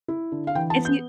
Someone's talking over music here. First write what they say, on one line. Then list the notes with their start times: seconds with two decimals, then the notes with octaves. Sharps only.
If you
0.08 E4
0.32 D3
0.47 F5
0.55 E3 G5
0.70 A5
0.78 B3
0.85 G6